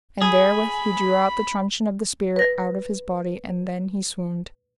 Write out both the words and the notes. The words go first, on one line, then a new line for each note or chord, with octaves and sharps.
And therewith he drew out the truncheon of the spear out of his body: and then he swooned.
G#4 B5
B4 A#6